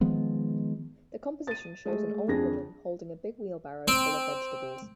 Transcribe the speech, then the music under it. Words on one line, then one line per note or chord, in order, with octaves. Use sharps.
The composition shows an old woman holding a big wheelbarrow full of vegetables.
D#3 F3 G#3 B3
A6 D#7
G#3 A3
F2 D4 G#4 A#6
C4